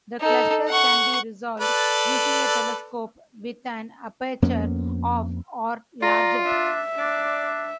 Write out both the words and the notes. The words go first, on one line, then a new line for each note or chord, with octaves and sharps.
The cluster can be resolved using a telescope with an aperture of or larger.
D#4 A4
F#5 C#6
A4 B4 D5
F2 A#3 B3 C#4
F4 D5 A#5
D4 E5
D4 D5